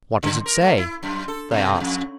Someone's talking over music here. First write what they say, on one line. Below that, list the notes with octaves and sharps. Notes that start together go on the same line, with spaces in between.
"What does it say?" they asked.
C#3
A#4
A3
E4
F#2
A4
B2
F2